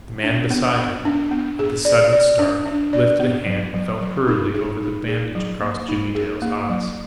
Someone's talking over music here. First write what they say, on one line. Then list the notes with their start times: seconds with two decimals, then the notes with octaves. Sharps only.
The man beside him, at the sudden start, lifted a hand and felt hurriedly over the bandage across Jimmie Dale's eyes.
0.24 D4
0.51 B3
0.78 B3
1.05 D4
1.31 B3
1.59 G#4
1.85 D5
2.13 D5
2.39 D4
2.66 D4
2.93 D5
3.20 B3
3.46 F#3
3.74 F#3
4.01 F#3
4.27 D#4
4.54 G#4
4.80 D#4
5.08 G#4
5.35 F#3
5.61 A#3
5.88 D#4
6.15 G#4
6.42 A#3
6.69 F#3